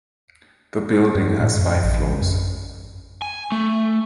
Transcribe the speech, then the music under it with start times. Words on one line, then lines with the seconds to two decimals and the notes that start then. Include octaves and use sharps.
The building has five floors.
1.15 G2
1.40 A2
1.59 F#2
1.84 A1
2.21 F#2
3.22 G#5
3.52 A3